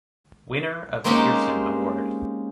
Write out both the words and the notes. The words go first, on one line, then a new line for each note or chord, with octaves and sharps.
Winner of Pearson award.
G#3 A#3 C4 C#4 D#4 G4